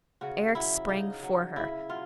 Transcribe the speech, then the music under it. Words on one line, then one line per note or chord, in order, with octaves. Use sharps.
Eric sprang for her.
C#3 F#4
F#3 E4
C#3 D#4
F#3
C#3 E4
F#3 F4